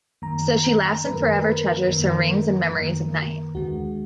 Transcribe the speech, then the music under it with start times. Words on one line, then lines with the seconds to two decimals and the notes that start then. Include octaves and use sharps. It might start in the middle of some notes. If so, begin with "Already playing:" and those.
So she laughs and forever treasures her rings and memories of Night.
0.22 F#2 D#3 A#3 A#5
0.64 A#5
1.05 F#2 D#3 A#3 B4
1.14 A#4
1.23 B4
1.42 B4
1.47 A#4
1.88 F#2 D#3 A#3
2.71 F#2 D#3 A#3
3.55 D#2 D3 G#3 F#4